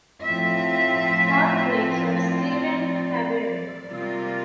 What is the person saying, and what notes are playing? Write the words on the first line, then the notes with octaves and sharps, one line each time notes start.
Birthplace of Steven Avery.
A2 F3 C4 F4 E5
D5
C3 G3 A#3 F4